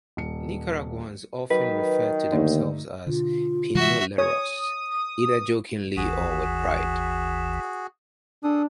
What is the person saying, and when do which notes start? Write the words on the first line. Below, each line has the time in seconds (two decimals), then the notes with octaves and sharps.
Nicaraguans often refer to themselves as "Pinoleros", either jokingly or with pride.
0.17 D#1 C#7
1.50 D#3 F#3 B4
2.32 D#2 D3 A3 D#4
3.07 B2 D3 F4
3.75 C3 E3 G#3 F#4 E5
4.18 C#5 D#6
5.97 G1 D#2 E3 F#4 G#4
8.44 D4 G#4 A4 D#6